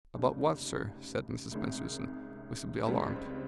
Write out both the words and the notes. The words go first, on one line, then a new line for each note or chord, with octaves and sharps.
"About what, sir?" said Mrs. Bensusan, visibly alarmed.
F1 D#2 C#3
C2 C3 D#3 G#3 C#4
C#2 C#3 G3 C4